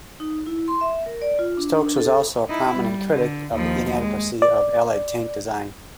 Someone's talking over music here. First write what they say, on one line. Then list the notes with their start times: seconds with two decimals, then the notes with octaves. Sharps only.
Stokes was also a prominent critic of the inadequacy of Allied tank design.
0.20 D#4
0.46 E4
0.68 C6
0.81 E5
1.06 A#4
1.22 D5
1.39 F4
1.57 D4
1.76 D4
1.98 A4
2.48 D#4 E4
2.76 G3
3.13 D3
3.54 D#2 F3
4.01 G#3
4.42 D5